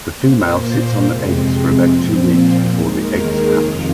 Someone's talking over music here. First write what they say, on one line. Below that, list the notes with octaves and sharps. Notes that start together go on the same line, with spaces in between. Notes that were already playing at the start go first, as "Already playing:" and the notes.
The female sits on the eggs for about two weeks before the eggs hatch.
A#2 A#3 C5
F2 C3 G#3 C4
A#2 F3 C4
D#2 D#3 G#3 A#4
G#4
F2 C3 D#3 F4